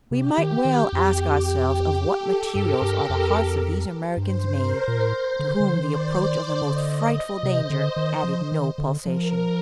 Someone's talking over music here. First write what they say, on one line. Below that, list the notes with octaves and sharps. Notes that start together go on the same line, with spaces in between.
We might well ask ourselves of what materials are the hearts of these Americans made, to whom the approach of the most frightful danger added no pulsation.
C3 G4
D#3
D#3
F2
G4
A4
G2 A#4
G2
F2
G2 C5
A#4
A#2
A2 C5
D3
D3
F3
D#3 D5
D3 D#5
D#5
C3 C5
D3
D#3
F3
D#3
D3
F3 A#4